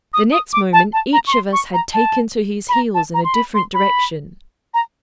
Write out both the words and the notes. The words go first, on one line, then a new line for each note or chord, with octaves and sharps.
The next moment each of us had taken to his heels in a different direction.
D#6
D#6
D6
A5
A5
A#5
C#6
C6
C#6
A#5
A5
B5
A#5
A5
A#5
C6
B5
C6
B5
A#5